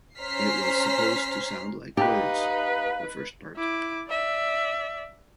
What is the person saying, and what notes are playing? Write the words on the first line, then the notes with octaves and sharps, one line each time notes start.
It was supposed to sound like birds - the first part.
C#4 C5 A#5 F6 B6 C7
D#4 G4 B4 F5
E4 D6
D5 E5